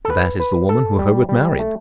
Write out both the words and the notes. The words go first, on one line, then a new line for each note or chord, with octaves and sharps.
"That is the woman who Herbert married."
A4
B4
B4
A4
G3
G3
A3